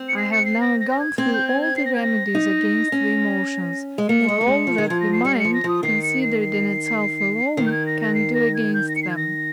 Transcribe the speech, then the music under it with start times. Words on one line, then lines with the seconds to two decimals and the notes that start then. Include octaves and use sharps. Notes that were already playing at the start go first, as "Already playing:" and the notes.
I have now gone through all the remedies against the emotions, or all that the mind, considered in itself alone, can do against them.
Already playing: C4
0.08 C#7
0.17 C7
0.31 C#7
0.46 C7
0.61 A#6
0.80 A#6
0.91 A#6
0.99 G#6
1.18 C4 G#6
1.33 G6
1.48 G#6
1.62 G#6
1.77 C7
1.86 A#6
1.94 G#6
2.02 A#6
2.35 D#4
2.92 C#4
3.98 G#3
4.09 A#3 C#7
4.28 G#3
4.41 A#3
4.48 G#3
4.67 F3
4.78 D#3
4.88 F3 G#6
5.00 A#6
5.13 C7
5.25 G3 C#7
5.35 C7
5.39 C#7
5.45 F3
5.54 A#6
5.64 F3 D#6
5.83 D#3 C7
6.02 C#7
6.22 C7
6.41 C7
7.57 D#3 C7
7.66 G6
7.71 G#6
7.86 A#6
8.01 A#6
8.15 C7
8.34 A#6
8.54 G#6
8.74 G6
8.88 A#6
8.96 C#7
9.03 C7
9.10 G#6
9.16 A#6